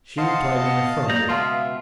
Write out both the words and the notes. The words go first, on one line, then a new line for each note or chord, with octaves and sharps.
She replied in the affirmative.
C5 D#5 F5 F#5 A5
B3
A#3 D5 D#5 A#5 G6
C#2 B2 F4 E5 F5 A5 C6